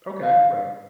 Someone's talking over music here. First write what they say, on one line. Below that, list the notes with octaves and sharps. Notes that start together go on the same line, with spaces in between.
Okay, right.
F5